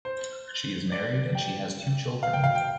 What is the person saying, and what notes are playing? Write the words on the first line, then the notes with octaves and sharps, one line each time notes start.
She is married and she has two children.
C5
D5
G5
F5
G5
F5
G5